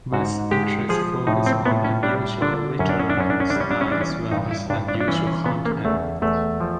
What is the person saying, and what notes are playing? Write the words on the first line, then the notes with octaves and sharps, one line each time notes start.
West's interests focused on unusual literary style as well as unusual content.
G#2 F#4
G#3 G4
F3 G#4
A2 D#4
C4
A2 B3
C#4
G3 D4
D3 D4
F#2 C#4
D4
C#4
D4
F#2 C#4
D4
C#4
D4
G3
C#4
D4
C#4
E3 D4
C#4
G2 D#4
E4
G2 D4
D4
D4
E3 C#4
C#4
C#3 B3
A#3
E2 A3
E2 A3
F3